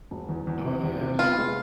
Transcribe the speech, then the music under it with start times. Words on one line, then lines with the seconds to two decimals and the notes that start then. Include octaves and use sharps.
No, yeah. That's correct.
0.11 E1
0.29 E2
0.47 E2
0.65 C3
0.83 E2
1.01 C3
1.19 B3 F4
1.37 G#3